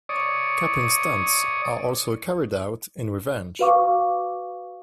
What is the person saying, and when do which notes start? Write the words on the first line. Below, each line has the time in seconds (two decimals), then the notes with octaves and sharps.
Capping stunts are also carried out in revenge.
0.09 C#5 D5 D#6
3.59 F#4 B4 F5 C#6 D6